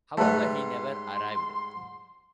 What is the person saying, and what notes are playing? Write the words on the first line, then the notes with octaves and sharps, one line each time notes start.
However, he never arrived.
G#2 G3 A3 B4 C6